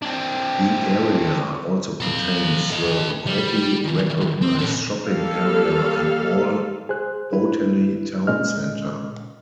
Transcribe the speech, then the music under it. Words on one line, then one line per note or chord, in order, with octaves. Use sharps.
The area also contains the widely-recognized shopping area and mall Botany Town Centre.
C4 D4
A4 F5
A4 D#5
G3
D#3 E3
C4
C#4 A4
G3 A#3 A4 F5
G#4 C5 F#6
D4 E4 B4
A#2 G#3 C#4 D#5 F6